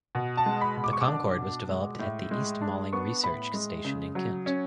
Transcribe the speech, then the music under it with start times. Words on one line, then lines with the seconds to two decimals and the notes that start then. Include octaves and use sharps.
The Concorde was developed at the East Malling Research Station in Kent.
0.15 B2
0.37 A5
0.46 G#3
0.61 B5
0.77 B2
0.84 D6
0.93 C#6
1.01 D6
1.07 D4
1.38 B2
1.69 G#3
1.99 A2
2.31 G#3
2.62 D4
2.93 B3 C#6
3.24 A2 B5
3.54 G#3
3.85 C#3
4.15 F#3
4.46 C#4